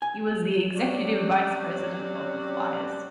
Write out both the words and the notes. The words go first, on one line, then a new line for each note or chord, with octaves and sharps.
He was the executive vice president of the Flyers.
G#5
F#2 C3 F#3 C#4 F#4 D5